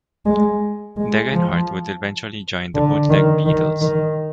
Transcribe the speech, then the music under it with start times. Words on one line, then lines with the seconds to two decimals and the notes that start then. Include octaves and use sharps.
Degenhardt would eventually join The Bootleg Beatles.
0.25 G#3
0.96 G#3
1.33 F3
2.75 D3
3.09 D#3
3.45 D#3
3.81 D#3